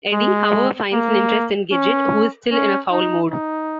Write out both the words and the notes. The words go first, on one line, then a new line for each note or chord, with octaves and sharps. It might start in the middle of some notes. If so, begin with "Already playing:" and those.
Eddie, however, finds an interest in Gidget, who is still in a foul mood.
G#3
A#3
C#4
C#4
D#4
D#4